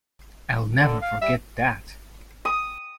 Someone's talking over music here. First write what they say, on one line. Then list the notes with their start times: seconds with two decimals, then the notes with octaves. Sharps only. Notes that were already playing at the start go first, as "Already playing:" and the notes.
I'll never forget that.
0.79 D3
1.02 F5
1.22 G3 E5
2.45 D#6